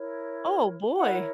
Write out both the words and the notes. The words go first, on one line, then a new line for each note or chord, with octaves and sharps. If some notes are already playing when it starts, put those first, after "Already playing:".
Oh, boy.
Already playing: E4 A#4 C#5
E4 A#4 C#5 F#5